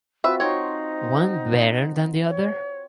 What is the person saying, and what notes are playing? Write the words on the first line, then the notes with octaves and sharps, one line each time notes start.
One better than the other?
C4 F4 F#4 B4 E5
C4 D#4 C#5 F5 F#5
C#5